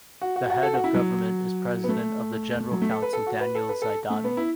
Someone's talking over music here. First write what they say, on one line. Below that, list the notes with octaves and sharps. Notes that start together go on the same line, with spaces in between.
The head of government is President of the General Council Daniel Zaidani.
F#4
F#4
F#4
A4
F#4
E4
F#3
B3
A3
F#3
A3
A4
B4
A4
F#4
B4
A4
B4
A4
A3
B3
E4